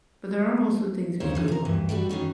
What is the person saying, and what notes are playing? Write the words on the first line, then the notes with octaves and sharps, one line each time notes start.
But there are also things we agree on.
D#2 A#3 C5 C#5
E3 F3
G#4 A#4
D2 G2 E3
G3 A3 D4 F#4
D#3 E3 C#4 D#4